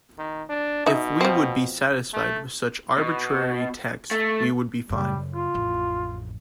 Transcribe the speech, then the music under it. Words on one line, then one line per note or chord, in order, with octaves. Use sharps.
If we would be satisfied with such arbitrary text, we would be fine.
D#3
D4
B2 D#4 E5
F3 C4
A3
B2
A3
F#2 C#3 G3
F4
A1 F2